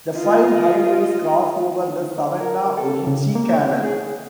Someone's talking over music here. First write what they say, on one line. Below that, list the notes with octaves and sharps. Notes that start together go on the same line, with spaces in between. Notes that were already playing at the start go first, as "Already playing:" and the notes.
The five highways cross over the Savannah-Ogeechee Canal.
F4 D#5
A#4
A4
C#3
A#3
C#5
G#4